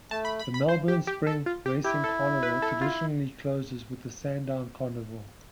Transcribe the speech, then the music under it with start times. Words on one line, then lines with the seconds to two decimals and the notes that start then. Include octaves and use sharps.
The Melbourne Spring Racing Carnival traditionally closes with the Sandown Carnival.
0.11 A3 A5
0.25 B5
0.39 B5
0.54 B5
0.69 C5
0.88 G4
1.07 G4
1.27 A4
1.46 F4
1.66 G4
1.84 E4 G4
2.04 A4
2.43 B4
2.62 A4
2.81 F4